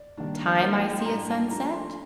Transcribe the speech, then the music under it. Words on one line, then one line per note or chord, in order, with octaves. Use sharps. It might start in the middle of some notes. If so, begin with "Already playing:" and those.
time I see a sunset.
Already playing: D5
D#3 G3 A#3 D4
D5
C5
F3 A#3 D#4 A#4
G5
C6
A2 G3 D4 A#5
A5
F3 A3 D4 A#5
C6